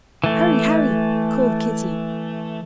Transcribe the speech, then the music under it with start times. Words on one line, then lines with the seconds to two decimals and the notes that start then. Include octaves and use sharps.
"Hurry, hurry!" called Kitty.
0.24 E3 A3